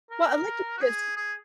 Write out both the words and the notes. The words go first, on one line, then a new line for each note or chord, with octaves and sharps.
Well, I like it because,
A#4
F#4
G#4
G#4